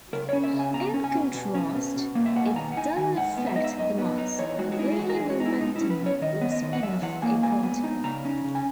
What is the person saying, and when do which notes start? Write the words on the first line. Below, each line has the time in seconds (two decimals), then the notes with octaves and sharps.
In contrast, it doesn't affect the mass, linear momentum or spin of a particle.
0.13 C#3 A#4
0.29 C#4 C#5
0.44 E5
0.53 C#3
0.59 G#5
0.73 B2 A#5
0.94 C#4
1.04 G#5
1.14 B2
1.34 B2
1.54 C#4
1.75 B2
1.96 B2
2.15 A#3
2.26 E5
2.36 B2 F#5
2.47 G#5
2.56 D#3 A#5
2.72 F#5
2.77 D#4 G#5
2.97 D#3 G#5
3.17 G#2 F#5
3.37 B3
3.47 E5
3.56 D#4 D#5
3.64 E5
3.78 F#2 D#5
3.98 B3
4.18 D#4
4.39 E2 C#5
4.59 G#3 F#4
4.72 F#4
4.79 D#4 E4
4.93 G#4
4.99 E2 F#4
5.10 A#4
5.15 G#4
5.20 G#3
5.30 F#4
5.40 D#4
5.45 E4
5.60 B2 D#4
5.76 E4
5.81 C#4
5.90 B4
6.01 B2 C#5
6.21 D#3 D#5
6.41 B3
6.52 D#5
6.62 D#3
6.73 F#5
6.82 F#2 E5
7.02 E3 F#5
7.22 A#3 G#5
7.43 G#2 G#5
7.63 B3
7.84 D#4
8.04 C#3 A#5
8.25 C#4
8.44 C#3
8.55 G#5